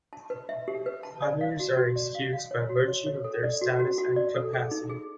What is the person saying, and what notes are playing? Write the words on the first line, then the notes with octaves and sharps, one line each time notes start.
Others are excused by virtue of their status and capacity.
A5
B4
E5
G4
B4
A5
D5
F5
F#4
F#4
D5
F5
F5
C#5
F#4
C#5
C#5
A4
D5
F#4
F#4
F#4
D5
A4
G#4
D#4
G#4